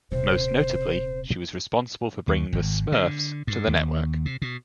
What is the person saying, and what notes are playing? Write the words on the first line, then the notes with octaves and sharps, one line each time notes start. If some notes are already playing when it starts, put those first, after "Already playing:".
Most notably, she was responsible for bringing the "Smurfs" to the network.
D#1 C3 C5
D#2
G#1
D3
G2
D#2
C3
B2